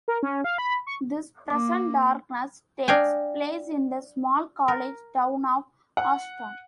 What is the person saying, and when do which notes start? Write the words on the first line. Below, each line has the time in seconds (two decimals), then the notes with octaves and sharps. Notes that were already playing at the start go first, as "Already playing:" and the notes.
"This Present Darkness" takes place in the small college town of Ashton.
0.08 A#4
0.23 C#4
0.44 F5
0.58 B5
0.87 C#6
1.50 A#3 D6
2.88 D4 D#5 F5 G5 G#5
4.68 A#4
5.97 F#5